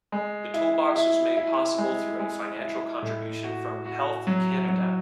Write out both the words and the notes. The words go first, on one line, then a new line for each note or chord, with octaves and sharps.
The toolbox was made possible through a financial contribution from Health Canada.
G#3
E4
E4
E4
G#3
G#3
E4
A2
F#4
F#4
F#3
F#3